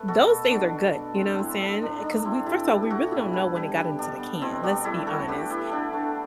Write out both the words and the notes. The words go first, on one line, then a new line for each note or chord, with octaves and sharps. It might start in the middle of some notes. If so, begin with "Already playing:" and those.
those things are good, you know what I'm saying? 'Cause we first of all, we really don't know when it got into the can, let's be honest,
Already playing: A3 B4
B2 F#4 A4
B2
B2 D4 F#4
B2
B2
A3 C4
D4
A2 C4 E4
A2 D4
A2 D4
A2 D4
A3 C4 E4
A2 E4 G4
A2 G4 B4
G4
A2 F#4 A4
B2 E4 G4
G3 G4 B4
G3 G4 B4
G3 D4
B2 D4
B2
B2 C4 E4
G3 D4 F#4
A3 E4 G4
A3 F#4 A4
D3 G4 B4
A3 E4 G4
D3 D4
A3